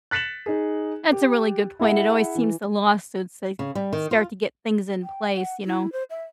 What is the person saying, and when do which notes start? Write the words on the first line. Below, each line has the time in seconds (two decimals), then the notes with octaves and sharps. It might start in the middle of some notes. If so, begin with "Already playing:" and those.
That's a really good point, it always seems the lawsuits, they start to get things in place, you know
0.11 F#6 A6 B6 C#7 E7 F#7
0.46 D#4 G#4
1.12 G4
1.80 E4 G#4 E5 F#5
2.35 E3
3.59 C#3
3.75 G3
3.93 D#3
4.11 F4
5.03 G5
5.36 F#5
5.66 E4
5.93 C5
6.10 E5